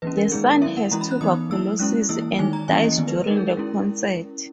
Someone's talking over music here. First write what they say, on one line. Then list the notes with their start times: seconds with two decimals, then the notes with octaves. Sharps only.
The son has tuberculosis and dies during the concert.
0.02 E3 A#3 C#4 B4
0.17 A#4
0.32 D#3 G#3 B3 D#4 G#4
0.46 A#4
0.62 F#3 C#4 E4 E5
0.77 F#5
0.91 E3 G#3 C#4 E4 A#5
1.01 B5
1.11 F#6
1.21 E3 B3 D#4 D#6
1.50 F#3 A#3 E4 E6
1.79 G#3 C#4 E4 F#6
2.09 E3 A#3 E4 E6
2.39 D#3 G#3 D#4 G#5
2.53 A#5
2.68 E3 A#3 C#4 E4 G#5
2.83 D#5
2.97 D#3 G#3 B3
3.08 B4
3.27 G#3 D#4 A#4
3.37 G#4
3.47 A#4
3.57 G#3 C#4 E4